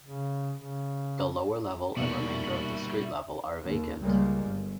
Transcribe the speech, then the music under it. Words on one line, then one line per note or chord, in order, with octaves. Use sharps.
The lower level and the remainder of the street level are vacant.
C#3
C#3
D#2 B2 G3 F#4 E5
D#2
C#2 G3 G#3 A#3
G1